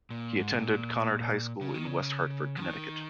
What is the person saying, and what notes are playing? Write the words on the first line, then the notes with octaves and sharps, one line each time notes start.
He attended Conard High School in West Hartford, Connecticut.
A#2
G#2
C3
A#2
C#3
D#3
C#3
F3
D#3